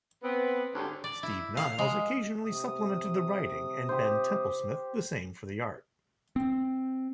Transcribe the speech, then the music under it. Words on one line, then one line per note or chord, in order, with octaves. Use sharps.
Steve Niles occasionally supplemented the writing and Ben Templesmith the same for the art.
B3 C4
D2 G#2 D3 C#4 D4 G4
D5
E4
F5
G#3
C3 D#6
G4 C5
C4